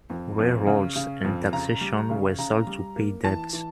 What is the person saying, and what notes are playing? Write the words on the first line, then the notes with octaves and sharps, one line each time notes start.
Railroads and taxation were sold to pay debt.
F2
F2
C#3
C#3
F2
C#3 A#5
G3
C#3
C#3 A#5
G3
A#3
E3 A5
E3